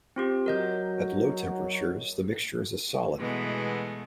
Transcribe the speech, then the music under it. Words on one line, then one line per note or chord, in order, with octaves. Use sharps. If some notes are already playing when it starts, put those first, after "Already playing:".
At low temperatures, the mixture is a solid.
C4 F4 G4
F#3 A#4 D#5 G6
B2 E3 G#3 A3 B3